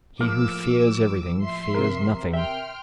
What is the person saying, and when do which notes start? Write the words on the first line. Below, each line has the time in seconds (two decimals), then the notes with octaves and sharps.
He who fears everything fears nothing.
0.21 A2 F3 A#3 D6 E6 F6
1.42 E5 C6 C7
1.74 C3 A#4
2.33 E5 G5 C6 F6